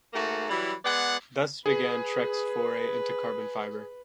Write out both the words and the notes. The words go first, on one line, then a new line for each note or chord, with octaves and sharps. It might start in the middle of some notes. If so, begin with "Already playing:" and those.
Thus began Trek's foray into carbon fiber.
G#2 A3 A#3 F#4
E3 F#3 G3 E4
G#3 B3 D5 F#5
G#4 B4